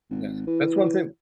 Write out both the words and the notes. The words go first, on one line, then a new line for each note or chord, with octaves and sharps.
yeah, that's one thing
G#1
E3